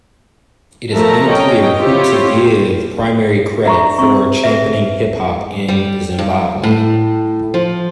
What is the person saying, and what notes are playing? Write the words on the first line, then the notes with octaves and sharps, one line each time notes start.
It is unclear who to give primary credit for championing hip hop in Zimbabwe.
F3 A3 A#4 E5 A5 A#5
C#4 C#5 D#5 G5
C4 E4 F4 G4 C5 C#5
D4 E5 A#5 C#6
C3 C4 C#6
G#4 B4 E5
G#2
G3
G2
A2
F3